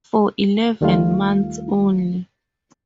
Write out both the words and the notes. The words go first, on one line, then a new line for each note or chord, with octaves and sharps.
For eleven months only.
D#2 D#3 G3 A3 F4 F5